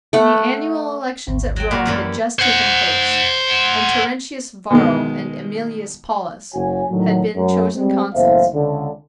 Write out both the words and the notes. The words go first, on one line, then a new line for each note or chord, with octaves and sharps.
The annual elections at Rome had just taken place, and Terentius Varro and Emilius Paulus had been chosen consuls.
A3 F#5
G#1 D2
F#3 G5
A#2 F#5 C#6
F#2 E3 G3
C5 F#5
B2 D#3 G#3
F#1 F#4 C#5 G#5
A2 D3 D#3 F#3
F#2
G3 G#3 C4
F#1 E2 A2 C5 E5 F5
C#2 D3